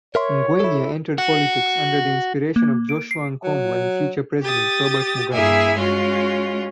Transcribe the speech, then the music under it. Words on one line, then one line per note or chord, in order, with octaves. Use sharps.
Ngwenya entered politics under the inspiration of Joshua Nkomo and future President Robert Mugabe.
A#4 C#5 E5 C6
E4 A4
F#4
A#3
D7
C7
F#3
G4 D#6 A6
G2 A#3 E4 G#4 E5 G#5
G#3 C#4 F4 F#4